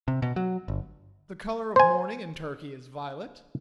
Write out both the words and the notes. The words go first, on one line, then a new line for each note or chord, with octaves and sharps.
The color of mourning in Turkey is violet.
C3
B2
F#3
G1
C5 G#5